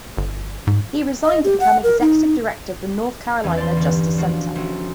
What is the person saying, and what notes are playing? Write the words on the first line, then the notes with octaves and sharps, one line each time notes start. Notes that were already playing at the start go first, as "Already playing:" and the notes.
He resigned to become executive director of the North Carolina Justice Center.
G1
G#2
D#5
G4
F#5
A#4
D#4
E2 E3 C#4 D#4 B4
D5 C6
G1
F3 D4 F#4
A1 F#4